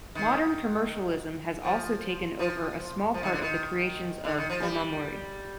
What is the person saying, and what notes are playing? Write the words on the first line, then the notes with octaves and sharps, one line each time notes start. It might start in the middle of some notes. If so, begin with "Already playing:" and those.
Modern commercialism has also taken over a small part of the creations of "omamori".
D#3
F3
F3
F3
D#3
D3
D#3
D3
D#3
F3
G3